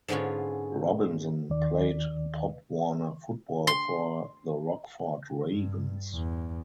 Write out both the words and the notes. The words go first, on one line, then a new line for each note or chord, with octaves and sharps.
Robinson played Pop Warner Football for the Rockford Ravens.
G#2 D3 G#3 B3 C#4 F4
D#2 D#3 D5
C6
G2
E2